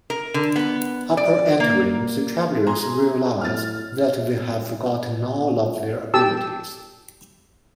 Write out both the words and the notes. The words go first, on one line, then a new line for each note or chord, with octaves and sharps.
Upon entering, the travelers realize that they have forgotten all of their abilities.
A#4
D3
B3
D5
A#3
G#4 A#5 C6
A2 F6 A6
G4 A5 E6